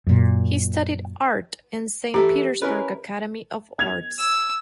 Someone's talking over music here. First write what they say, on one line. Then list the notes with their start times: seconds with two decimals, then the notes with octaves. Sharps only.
He studied art in Saint Petersburg Academy of Arts.
0.07 F#2 A#2
2.14 E3 A3 E4 G4 A#5
2.62 C#4 E4 A#4 B4
3.79 G#6 F7
4.18 E6